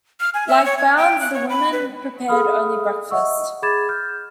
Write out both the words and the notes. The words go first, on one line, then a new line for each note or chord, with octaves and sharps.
Like Bounds, the woman prepared only breakfast.
F6
G#5
E5
C#5
G#6
G5
F#6
C#5
B5
B4
G#4 A4 F5 B5 D#6 F6
D#5 E5 F#5 C#6 E6
G#4 B5 D6 G#6 A6 E7
F6 G6